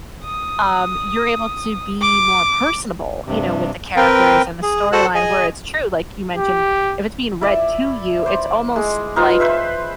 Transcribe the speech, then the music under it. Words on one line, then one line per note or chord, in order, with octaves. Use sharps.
um, you're able to be more personable, you know, with the characters and the storyline where it's true, like you mentioned, if it's being read to you, it's almost, like,
D#6
D6
G2 C3
C4 A#4 B4 G5
G#4
F#4 A4 C5 F#5 E6 F#6
G#4 D#5 G#5
G4
E4 D5 E5
C5 D5
G#3
D#4 F4 B4 C5
B4 C5 E5